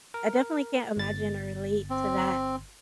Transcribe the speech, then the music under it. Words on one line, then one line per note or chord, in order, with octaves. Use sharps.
I definitely can't imagine or relate to that-
A#4
G1 A6
C4